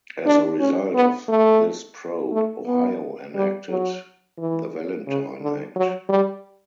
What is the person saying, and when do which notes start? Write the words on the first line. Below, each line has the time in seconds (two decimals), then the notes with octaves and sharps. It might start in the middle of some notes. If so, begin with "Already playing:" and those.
As a result of this probe, Ohio enacted the Valentine Act.
0.26 D4
0.60 C#4
0.95 B3
1.28 A3
2.32 A3
2.66 B3
3.35 G3
3.69 F#3
4.38 E3
5.07 C#3
5.41 D3
5.76 F#3
6.09 G3